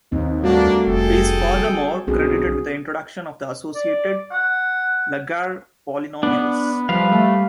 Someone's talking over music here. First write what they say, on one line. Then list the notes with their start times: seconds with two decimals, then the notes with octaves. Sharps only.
He is furthermore credited with the introduction of the associated Laguerre polynomials.
0.12 D#2 C4 D#4
0.43 G3 A3 A#3 D4 F#4 F5
0.87 F1 G#4 A4 G5
2.07 B1 D3 C4 F#4 G#4
3.75 D5
4.31 F#5
6.23 B3 D4
6.89 F3 G3 B4 F5
7.12 A3